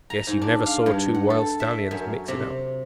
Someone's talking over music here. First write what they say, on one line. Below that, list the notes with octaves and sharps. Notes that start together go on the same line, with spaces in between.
"Guess you never saw two wild stallions mix it up."
A#5
G#2
D4
F5
G2
F#5
A4
E5
F#2
C3